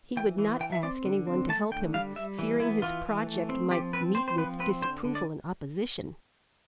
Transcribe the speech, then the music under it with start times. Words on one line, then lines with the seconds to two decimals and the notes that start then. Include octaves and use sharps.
He would not ask any one to help him, fearing his project might meet with disapproval and opposition.
0.17 E3 G5
0.38 E3
0.60 E3 G5
0.72 E5
0.83 C4 D5
1.05 D3
1.27 C4
1.49 A3 A5
1.71 D3 G5
1.94 G3 F5
2.16 G3 E5
2.39 E3
2.60 B3 E4
2.82 E3 F4
3.05 E3
3.27 A3
3.49 C4
3.71 F3 G4
3.93 C4 B4
4.15 C4 C5
4.28 C5
4.37 F3 B4
4.60 C4 B4
4.81 D3 C5
5.04 D3
5.15 D5